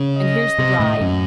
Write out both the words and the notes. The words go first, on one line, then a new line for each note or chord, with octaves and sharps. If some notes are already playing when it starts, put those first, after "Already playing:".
And here's the Bride!
Already playing: C#3
D#5
C3
A2
F#2